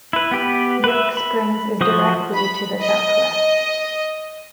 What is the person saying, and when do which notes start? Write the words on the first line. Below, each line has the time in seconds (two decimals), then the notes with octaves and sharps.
York Springs is directly to the southwest.
0.13 E4 B4
0.31 B3 G4 B4
0.84 B4 E5
1.17 B5
1.81 F3 F#4 C5 D#6
2.33 B5
2.80 D#5